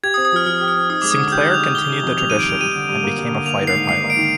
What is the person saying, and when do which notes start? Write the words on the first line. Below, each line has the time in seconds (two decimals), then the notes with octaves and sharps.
Sinclair continued the tradition and became a fighter pilot.
0.03 G4 G#6
0.14 D#6
0.17 C4
0.25 D#6
0.32 F3 F6
0.46 F3 F6
0.61 G4
0.68 F6
0.75 C4
0.90 D#4 D#6
1.02 G#3 D6
1.11 D#6
1.17 D3
1.32 G4 G6
1.46 D#4
1.54 F7
1.60 G#3
1.74 D#3 G7
1.89 C3
2.03 F2
2.17 G3 F7
2.30 D#3 D#7
2.39 D7
2.46 C3
2.60 G3 D#7
2.75 D3
2.89 G2
3.03 A#3
3.18 G3
3.31 D3
3.46 A#3 F7
3.61 D#3
3.67 C7
3.74 G#2
3.88 G#2 C7
4.03 A#3
4.10 D7
4.17 D#3